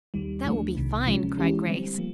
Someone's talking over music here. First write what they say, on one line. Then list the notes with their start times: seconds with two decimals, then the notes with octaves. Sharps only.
"That will be fine," cried Grace.
0.14 D#2 D#3 G3
0.45 D#2 D3 F3 A3 D4
0.75 C2 C3 D#3
1.06 D2 C3 F3 G#3 C#4
1.37 E3 G#3 C#4 E4 G4
1.67 D3 G3 C4
1.98 F3 A#3